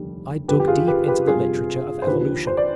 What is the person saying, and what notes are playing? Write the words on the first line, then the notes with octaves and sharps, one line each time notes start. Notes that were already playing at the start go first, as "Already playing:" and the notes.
I dug deep into the literature of Evolution.
Already playing: F1 D#2 D3 G3
G1 F2 D3 G4 B4
G4
F4 G#4
G4 B4
G4 B4
G1 F2 C3 G3 F4 G#4
C5
D#2 D3 F3 G4 B4
C5
D5